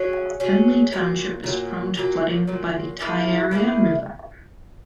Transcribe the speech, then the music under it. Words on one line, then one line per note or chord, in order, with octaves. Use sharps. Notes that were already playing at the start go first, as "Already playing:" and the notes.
Henley township is prone to flooding by the Taieri River.
Already playing: F#3 C#4 G#4
F#3 C#4 G#4
A#2 F#3 A#3
A#2 F#3 A#3
A#2 F#3 A#3
A#2 F#3 A#3
E3 A#3 E4 G#4
E3 A#3 E4 G#4